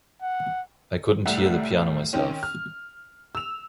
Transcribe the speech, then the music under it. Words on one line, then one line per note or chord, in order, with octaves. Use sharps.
I couldn't hear the piano myself.
F#5
C2 A2 E5 F#5
D#3 C4 C#4
F6
E6 F7